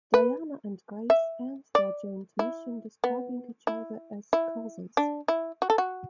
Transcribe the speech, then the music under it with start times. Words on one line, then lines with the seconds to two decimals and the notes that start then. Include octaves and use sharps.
Diana and Grace end their joint mission describing each other as cousins.
0.14 B4
1.10 E5
1.75 D5
2.39 E4
3.04 B3
3.67 E4
4.33 E4
4.97 D4
5.28 E4
5.62 F#4
5.70 A4
5.78 F#4